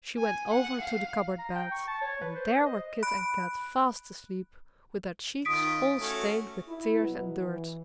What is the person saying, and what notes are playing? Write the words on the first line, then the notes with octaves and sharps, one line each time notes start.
She went over to the cupboard bed; and there were Kit and Kat fast asleep; with their cheeks all stained with tears and dirt.
G#5
F#5
F5
A#5
G5
C#6
A5
C#5
B4
C5
D#5
B5 F#6 D7
D#3 F4 D#6 B6 D7
A3 C#4 F#4
E4
B2 F#3 B3
E3